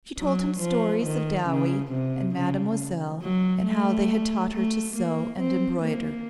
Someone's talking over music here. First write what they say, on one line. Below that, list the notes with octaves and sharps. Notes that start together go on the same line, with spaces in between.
She told him stories of Dowie and Mademoiselle and how they had taught her to sew and embroider.
F#3
F3
D#3
C#3
C3
C#3
F#3
A3
A3
A#3
C4
A#3